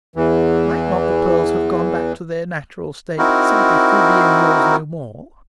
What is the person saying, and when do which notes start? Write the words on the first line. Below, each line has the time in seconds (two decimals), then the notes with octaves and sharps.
Might not the pearls have gone back to their natural state simply through being yours no more?
0.16 E2 E3
3.18 C4 D#4 E4 F#4 A#4